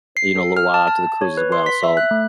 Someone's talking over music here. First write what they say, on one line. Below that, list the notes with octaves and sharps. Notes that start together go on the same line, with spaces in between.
you know, a little while after the cruise as well. So,
C7
A4
F6
A5
A5
C#5
B4
C6
B6
E5
F#6
A3